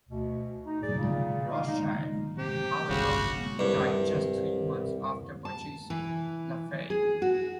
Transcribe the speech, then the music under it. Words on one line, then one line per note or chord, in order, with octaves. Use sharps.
Rothschild, however, died just three months after purchasing Lafite.
D2 B2
D#4
D#4 G#4 D5
A#2 C#3
D#4 D5 D#5 F5
G#3 D#4
C3 G4
G1 C2 C#3 F#4
C2 G2
A5
E3
G#4
F#4